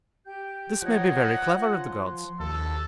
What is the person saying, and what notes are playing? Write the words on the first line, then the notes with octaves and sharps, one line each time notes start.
This may be very clever of the gods.
G4 G5 G6
F3 D#4 C#5 F#5
C6
D#2 A4